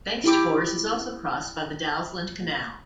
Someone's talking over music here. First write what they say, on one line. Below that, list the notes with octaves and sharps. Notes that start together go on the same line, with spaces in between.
Bengtsfors is also crossed by the Dalsland Canal.
E4 G4 D6